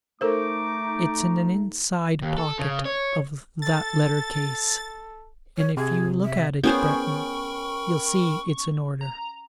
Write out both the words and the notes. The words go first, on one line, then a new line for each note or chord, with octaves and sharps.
It's in an inside pocket of that letter-case, and if you look at it, Breton, you'll see it's in order.
A3 D#4 A4 A#4 C5 D6
D#2
A4
C#3
C#5
A4 A6
C#5
C3 G#4
E5
B3 C#4 G#4 A#4 C5 G5 B5 C#6
A#5